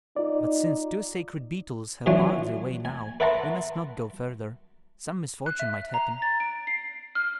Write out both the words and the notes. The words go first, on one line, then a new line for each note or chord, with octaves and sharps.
"But since two sacred beetles have barred the way now, we must not go farther; some misfortune might happen."
D#4 F4 D5
E3 F#3 C#4 D4 F4
G#5
B4 E5 F#5 A5 A#5 C6
F#6
E5
A#5
A6
D7
C7
F6